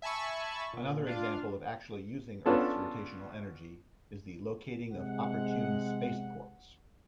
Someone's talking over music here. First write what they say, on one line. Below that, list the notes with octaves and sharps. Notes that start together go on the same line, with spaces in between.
Another example of actually using earth's rotational energy is the locating of opportune spaceports.
E5 G#5 A5 B5 C#6
A#2
D4 F4 F5
B3 C#4 D4 F4 A4
C3 G#3 F#5